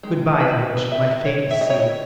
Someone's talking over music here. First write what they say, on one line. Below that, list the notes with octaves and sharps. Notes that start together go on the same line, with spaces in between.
Good-by, Alyosha, my fate is sealed.
D#3 G#3
B4
B4
E5
D#5
C#5
E5
D#5
C#5
D#5